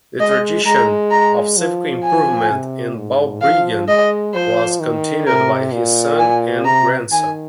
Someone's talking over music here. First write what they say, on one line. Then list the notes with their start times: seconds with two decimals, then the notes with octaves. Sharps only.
The tradition of civic improvement in Balbriggan was continued by his son and grandson.
0.20 G#3 D#5
0.65 G#3 A#5
1.11 A#5
1.57 F3
2.04 G#5
2.50 C3
2.96 G#2
3.42 F3 F5
3.88 G#3 D#5
4.35 F3 C5
4.80 D#3
5.27 C3 A#4
5.73 A#2
6.19 G#5
6.65 C3 A#5
7.11 D#3 G#5